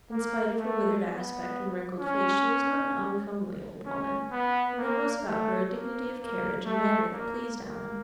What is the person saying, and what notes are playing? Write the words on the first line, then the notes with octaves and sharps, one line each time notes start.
In spite of her withered aspect and wrinkled face, she was not an uncomely old woman and there was about her a dignity of carriage and manner that pleased Alan.
A#3
A3
B3
C#4
C#4
B3
A#3
A3
A#3
A#3
A3
A#3
A#3